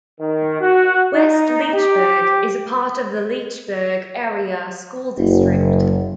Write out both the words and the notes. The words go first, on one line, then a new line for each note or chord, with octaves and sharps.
West Leechburg is a part of the Leechburg Area School District.
D#3
F#4
D#4
G4
F#1